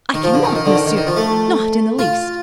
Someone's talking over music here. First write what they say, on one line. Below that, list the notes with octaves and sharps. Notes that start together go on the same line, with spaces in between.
"I cannot, monsieur, not in the least."
D#3
F3
D3
D#3
D#3
D3
D#3
D#3
D#3
F3
A3
F4